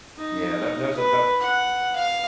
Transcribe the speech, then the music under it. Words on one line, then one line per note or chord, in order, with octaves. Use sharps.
Yeah, that that was a tough
D#4
B4
F#5
F5